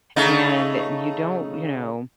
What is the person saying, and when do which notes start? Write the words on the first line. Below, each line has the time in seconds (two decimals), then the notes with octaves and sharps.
and you don't, you know
0.16 C#3 A3 D#4